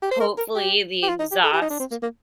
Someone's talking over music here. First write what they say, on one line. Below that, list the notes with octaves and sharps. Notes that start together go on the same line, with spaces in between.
hopefully, the exhaust
G4
C5
A#4
A#4
G4
G4
F4
D#4
G4
A4
G4
D#4
D4
C4
A#3
A#3